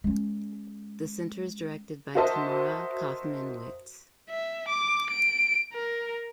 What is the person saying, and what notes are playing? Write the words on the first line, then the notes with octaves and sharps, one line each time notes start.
The Center is directed by Tamara Cofman Wittes.
G#3 C#4
F#4 A#4 C5 D#5 E5 A5
E5
D6
D7
A#4